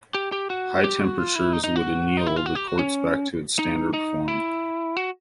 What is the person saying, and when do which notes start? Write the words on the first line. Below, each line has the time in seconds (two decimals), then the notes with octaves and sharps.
High temperatures would anneal the quartz back to its standard form.
0.14 G4
0.32 G4
0.50 F#4
0.84 G4
1.01 F#4
1.18 F4
1.36 E4
1.53 D#4
1.64 D#4
1.76 F#4
2.17 D#4
2.26 E4
2.36 F4
2.46 F#4
2.55 G4
2.67 F#4
2.79 C#4
3.59 D#4
3.94 D#4
4.28 E4
4.97 F#4